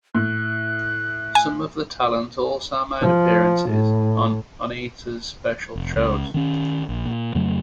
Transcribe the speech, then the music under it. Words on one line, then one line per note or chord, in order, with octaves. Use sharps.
Some of the talent also made appearances on Onita's special shows.
A2 F#6
G#5
F3
A2
F1
C#2
D#3 C#4
A#1
A#2
F2 C#3 F#3 A3